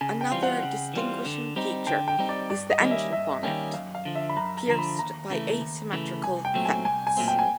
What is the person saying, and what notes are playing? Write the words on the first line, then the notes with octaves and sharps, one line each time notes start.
Another distinguishing feature is the engine bonnet, pierced by asymmetrical vents.
C#3 G#5
G5
E3 G3 C4 F4
F#5
C#3
E3 G3 C4 F4
D3
G3 C4 D#4
D3 G5
G5
G3 C4 D#4
D5
G2 D5
D#5
D#3 G3 A#3 C#4
E5
G2 E5
D#3 G3 A#3 C#4 G5
F#2 F5
F5
D3 F3
E5
B5
F#2 A#5
A#5
D3 F3 A#5
B5
D#2 A#5
C#3 E3 A3
D#2
C#3 E3 A3
C2 G#5
G5
A#2 F#3 A3 C4
G#5
C2 G#5
G#5
A#2 F#3 A3 C4
G5
G#5